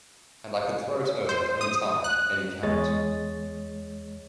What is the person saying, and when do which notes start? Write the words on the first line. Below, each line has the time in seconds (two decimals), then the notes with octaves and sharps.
And I could throw it over at any time, any count.
1.29 C5
1.61 D#6
2.04 F#6
2.63 E2 G#3 C#5 D#5 A6